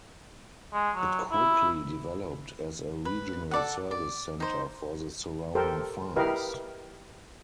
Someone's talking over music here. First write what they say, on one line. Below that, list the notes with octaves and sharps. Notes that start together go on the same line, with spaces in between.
It quickly developed as a regional service center for the surrounding farms.
G#3
F#3
E4
B4
A4 D5 F#5
D5
D#4 C5
G4 A4 A#4 C5
E4 G4 A#4 B4 D#5 F5